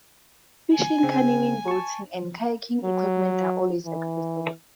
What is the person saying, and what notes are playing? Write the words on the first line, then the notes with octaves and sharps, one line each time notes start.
Fishing, canoeing, boating, and kayaking equipment are always accessible.
G#5
C#3 C4
A5 C#6
F#3
E3